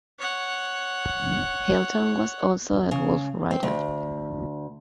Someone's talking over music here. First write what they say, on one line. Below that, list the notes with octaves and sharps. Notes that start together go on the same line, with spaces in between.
Hilton was also a golf writer.
C#5 F#5
C#3
C4
D2